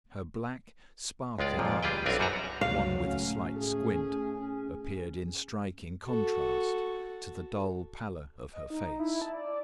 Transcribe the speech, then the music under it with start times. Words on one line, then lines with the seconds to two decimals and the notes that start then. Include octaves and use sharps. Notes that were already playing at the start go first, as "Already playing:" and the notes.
Her black, sparkling eyes, one with a slight squint, appeared in striking contrast to the dull pallor of her face.
1.39 C#2 G#3 F4 D5
1.59 F2 A#2 F3
1.83 G3 F4 G#4 B4 G5
2.06 B1 C4 D4 A#4 B4 G#5
2.19 F#2 G3 F#4 B4 A#5
2.61 C#2 C3 F#3 A3 F5
3.04 A2 A3 C#4
3.58 G#4
4.39 C#4
6.06 F#4 A4
8.53 D#5
8.70 D#4
9.00 E4
9.21 A5
9.34 D5